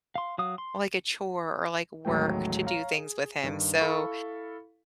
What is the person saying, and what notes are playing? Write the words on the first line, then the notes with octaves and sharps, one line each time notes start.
like a chore or like work to do things with him, so,
F5 C6
F#3 F5 D#6
C6
A1 D#2 F#3 G#3 A3 G5
C#5 F5 A#5
G#4
G2 D#3
E4 A4 F5 B5 C#6